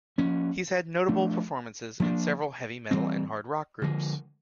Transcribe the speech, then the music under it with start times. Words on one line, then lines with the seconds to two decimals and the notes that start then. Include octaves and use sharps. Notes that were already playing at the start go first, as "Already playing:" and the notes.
He's had notable performances in several heavy metal and hard rock groups.
0.18 F3 A#3 C#4
1.08 F3 A3 D4
2.00 F3 A#3 D4
2.91 E3 G3 C4
3.82 D3 F3 G#3